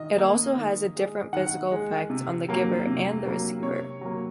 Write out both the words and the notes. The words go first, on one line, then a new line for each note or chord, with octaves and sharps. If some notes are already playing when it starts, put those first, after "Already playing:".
It also has a different physical effect on the giver and the receiver.
Already playing: D#3 D#5
A#3
D#3
G#3
D#3 F#5
G#3
C3
F#3 A#3
C3
F#3 A#3
C3 C#5
F#3 A#3